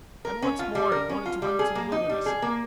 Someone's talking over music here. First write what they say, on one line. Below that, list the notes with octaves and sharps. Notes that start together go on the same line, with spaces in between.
And what's more, he wanted to run into the wilderness!
A#4
C#4
F4
G3
A#4
C#4
F4
G3
G#4
A#3
D#4
G3
G#4
A#3